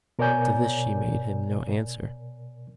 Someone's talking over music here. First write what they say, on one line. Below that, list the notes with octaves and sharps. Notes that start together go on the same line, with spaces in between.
To this she made him no answer.
B2 A#4 C#5 D5 G#5 G6